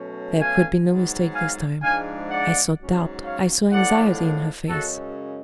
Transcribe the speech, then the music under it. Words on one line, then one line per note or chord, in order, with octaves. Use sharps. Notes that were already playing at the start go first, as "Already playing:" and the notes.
There could be no mistake this time; I saw doubt, I saw anxiety in her face.
Already playing: B2 F#3 A3 C#4
F5 G#5
G#2 F#3 B3
F5 G#5
G#2 F3 G#3 D4 F5 G#5
D5 F#5
G#2 F#3 C#4
C#5 F5
A2 F3 G#3 B3 D4 D5 F#5
F#2 C#3 G#3 C#4 F#4 A4